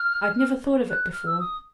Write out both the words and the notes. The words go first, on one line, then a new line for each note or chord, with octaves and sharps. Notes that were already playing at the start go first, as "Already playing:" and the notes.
I'd never thought of it before.
Already playing: F6
F#6
F6
E6
D#6